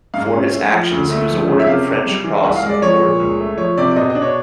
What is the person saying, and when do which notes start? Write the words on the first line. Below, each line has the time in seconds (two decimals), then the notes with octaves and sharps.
For his actions, he was awarded the French Cross of War medal.
0.14 G#2 F5
0.33 C#4
0.52 A3
0.71 F3
0.91 D2
1.10 A3
1.29 F3
1.48 C#3
1.60 E5
1.67 C3 F5
1.87 C3
2.06 G3
2.24 E3
2.43 C2 F#5
2.56 F5
2.63 G#3
2.70 D5
2.82 F3 C#5
3.01 A#2
3.20 C#2
3.40 A3
3.58 F3 C#5
3.78 C3 D5
3.96 B2 D#5
4.10 D#5
4.15 D4
4.22 C#5